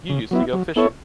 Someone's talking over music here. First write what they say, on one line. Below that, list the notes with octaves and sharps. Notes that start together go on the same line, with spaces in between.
You used to go fishing.
C#3
F#3 B3 E4
F#3
B3 E4 A4 C#5